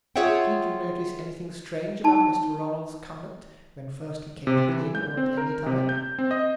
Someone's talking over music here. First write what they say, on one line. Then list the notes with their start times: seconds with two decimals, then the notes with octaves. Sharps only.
"Did you notice anything strange about Mr. Ronald's conduct when first he came to the inn or at any time?"
0.16 F4 G#4 C#5 E5 F#5 G5
2.04 D#4 A5
4.47 C3
4.69 E3
4.95 G6
5.17 C4
5.37 A#4
5.66 C3
5.89 G6
6.19 C4
6.31 D#5